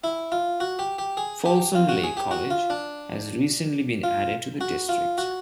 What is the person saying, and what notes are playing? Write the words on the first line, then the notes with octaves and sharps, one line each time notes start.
Folsom Lake College has recently been added to the district.
E4
F4
F#4
G4
G4
G#4
G4
F4
F#4
G#4
G4
F#4
F4
D4
F4
F#4
F4
F#4